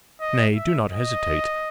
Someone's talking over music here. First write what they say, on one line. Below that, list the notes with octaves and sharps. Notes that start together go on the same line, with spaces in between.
Nay, do not hesitate.
D#5
E5
D#5